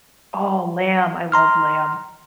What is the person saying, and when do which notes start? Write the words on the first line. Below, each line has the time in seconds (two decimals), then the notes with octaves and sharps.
Oh, lamb. I love lamb.
1.32 A#5 C6 F6